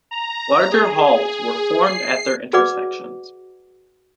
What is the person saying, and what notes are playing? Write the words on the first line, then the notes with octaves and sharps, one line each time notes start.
Larger halls were formed at their intersections.
A#5
G#4
C7
F#4 G#4 B4 D5 F#5 D6